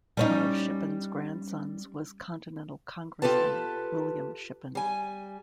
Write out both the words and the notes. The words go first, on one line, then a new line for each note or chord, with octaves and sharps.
One of Shippen's grandsons was Continental Congressman William Shippen.
G3 C#4 D#4
F4 G4 A4 B4 A5
G3 G#5